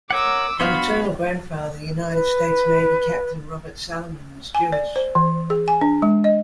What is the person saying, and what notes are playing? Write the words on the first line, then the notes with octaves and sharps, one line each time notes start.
Her maternal grandfather, United States Navy Captain Robert Salomon, was Jewish.
A#4 C#5 F#5 D6 E6
G2 B3 F#4 F5 B5 C6
B4
G#5
D5
C5
E3
G#4
G#5
D4
G#3
D#5